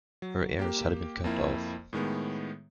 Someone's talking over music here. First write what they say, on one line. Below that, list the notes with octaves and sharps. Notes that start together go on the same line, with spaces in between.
Her ears had been cut off.
F#3
A#3 G4
F2 A#3 E4
A2 D#3 G#3 B3